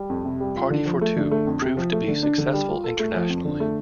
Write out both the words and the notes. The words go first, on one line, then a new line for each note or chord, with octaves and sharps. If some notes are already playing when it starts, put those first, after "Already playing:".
"Party for Two" proved to be successful internationally.
Already playing: G3
F2
C3
G3
F4
D3
F3
A3
D3
A3
F2
C3
F3
A3
D3
D4
D3
G3
F4
A4
A3
F3
F2
D3
A3